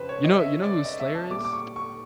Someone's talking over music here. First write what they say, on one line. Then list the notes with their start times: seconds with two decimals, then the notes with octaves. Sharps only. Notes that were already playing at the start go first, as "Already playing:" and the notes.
You know you know who Slayr is?
Already playing: F2 C#3 F3 B4 C5
0.09 C#5
0.24 D#5
0.39 E5
0.62 D5
0.85 D#5
1.00 E5
1.15 A5
1.30 A#2 G3 D6
1.45 D6
1.53 C#6
1.76 C#6